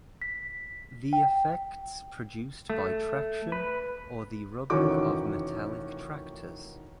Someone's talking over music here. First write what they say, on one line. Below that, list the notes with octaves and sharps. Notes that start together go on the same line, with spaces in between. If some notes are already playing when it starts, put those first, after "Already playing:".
The effects produced by traction, or the rubbing of metallic tractors.
B6
G5
A3
B4
F1 D#3 E3 C#4 F#4 D6